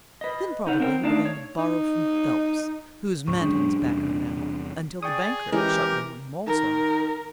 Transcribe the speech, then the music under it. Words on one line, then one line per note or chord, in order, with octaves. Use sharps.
Then probably he began to borrow from Phelps, who's Manton's backer now, until the banker shut down on him also.
B4 D#5
D#4 B4 C#5 F#5
C4 A#4 C5 F5 G5
A3 D4 D#4 D5 F5 A5
C#5
D#4
C#2 G#2 C#6
F#2 G#3 C#4 D4
E2 C3 G3
G#4 D5 G5 C#6 D#6
E3 G#3 C#4 G4 A#4
D#3 A#4